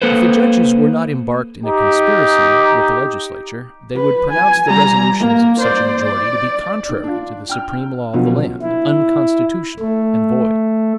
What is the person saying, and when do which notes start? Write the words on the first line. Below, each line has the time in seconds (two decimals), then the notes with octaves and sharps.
If the judges were not embarked in a conspiracy with the legislature, they would pronounce the resolutions of such a majority to be contrary to the supreme law of the land, unconstitutional, and void.
0.02 A#3 A4 B4 C5
1.66 D#4 G4
3.95 B4
4.32 G#5
4.67 G3 A#5
5.20 A#3
5.60 C5 D5
6.04 D5
6.89 D#3
7.04 D4 F4
7.49 G5 F6
8.13 B2 D3 F3 F#3 B3 C#4
8.62 E4
9.80 A3